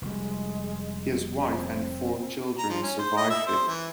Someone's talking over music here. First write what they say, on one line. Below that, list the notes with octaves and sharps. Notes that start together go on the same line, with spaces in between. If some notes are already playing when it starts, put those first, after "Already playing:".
His wife and four children survived him.
F1 G3 G#3
C4
A#5
F3
C#4
C5
D#5
E5
C5
E3